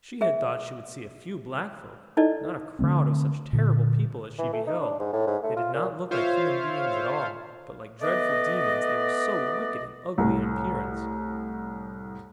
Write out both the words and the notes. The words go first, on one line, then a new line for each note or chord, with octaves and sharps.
She had thought she would see a few Black folk, not a crowd of such terrible people as she beheld. They did not look like human beings at all, but like dreadful demons, they were so wicked and ugly in appearance.
G#4 E5
D#4 E4 A4 D5 D#5
D3 F3 A3 C4
A#2 D3
E3
A3
D#4
D4
G#2
A2
G#2
A3
F4
A#2
F4 C5 C#5 E5 F5
A3 B3 B4 D5 D#5
C2 A2